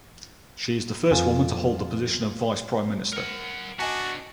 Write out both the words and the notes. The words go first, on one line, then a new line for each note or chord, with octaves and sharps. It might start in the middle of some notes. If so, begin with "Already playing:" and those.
She is the first woman to hold the position of Vice Prime Minister.
F2 F4 G#5
A#4 F#5
B3 D4 F#4 D#5 G#5 A5